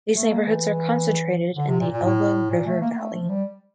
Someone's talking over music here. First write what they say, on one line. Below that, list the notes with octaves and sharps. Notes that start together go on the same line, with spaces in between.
These neighbourhoods are concentrated in the Elbow River valley.
A3
A#3
E3
D3
C3
A#2
A#2
A2
A#2
A3
A#3
A#3
A3
F3
G3